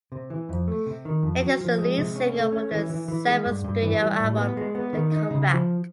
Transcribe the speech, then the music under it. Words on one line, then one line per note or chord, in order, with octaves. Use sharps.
It is the lead single from their seventh studio album "The Comeback".
C3
E3
F2
A3
C3
D#3
F2
F#3
F3
G#3
C3
C#4
A3
C#4
E3
E3
E3
G#3
G2
G2
E3
G3
A2
B3
G#3
B3
D#3
D#4
C#3
F3